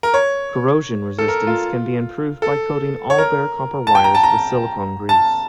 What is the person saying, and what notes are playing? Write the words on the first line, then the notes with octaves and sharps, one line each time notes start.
Corrosion resistance can be improved by coating all bare copper wires with silicone grease.
A#4
C#5
A4
A#4
F4
A4
C#5
A#4
A5
G5
A#5
A5
A#5
A5